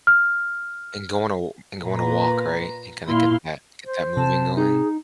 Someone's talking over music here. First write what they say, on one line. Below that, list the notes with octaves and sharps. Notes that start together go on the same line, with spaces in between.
And going to w and going to walk, right? And kinda get that get that moving going?
F6
A#2 B4 A#5
A#2 E4 F5 C6
C5
C3 A5
D#4 G#4